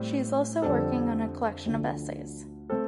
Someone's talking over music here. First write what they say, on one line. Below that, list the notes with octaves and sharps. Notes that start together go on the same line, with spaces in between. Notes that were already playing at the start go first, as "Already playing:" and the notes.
She is also working on a collection of essays.
Already playing: A2 G3 C4
F2 D3 G3 C4 A4
D2 D3 F3
A3 C4 A4